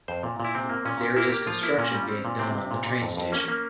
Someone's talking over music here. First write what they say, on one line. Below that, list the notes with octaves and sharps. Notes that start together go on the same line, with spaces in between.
There is construction being done on the train station.
F2 C5
A#2
A#2 E4
C3 C4
A#3
A#2 C#4
A#2
A#3 E4
A#3 G4
F3 F4
A#3 E4
A#2 C#4
G3
C4
A#2
C3 C4
C3
A#2
A#2
F2
F2
A#3 C#4
A#3